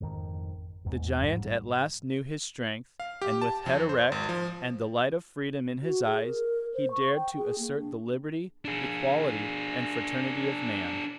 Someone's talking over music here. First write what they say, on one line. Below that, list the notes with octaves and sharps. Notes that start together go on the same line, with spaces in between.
The giant at last knew his strength, and with head erect, and the light of freedom in his eyes, he dared to assert the liberty, equality and fraternity of man.
G#1 F2 D#3
G#1 E2 G#2
A1 G#2 G3
F5
G4
A5
F2
C5
G#1
F3
F#4
G#4
A#4
C5
C#6
G5
G#4
A#3
D4
D4 G#4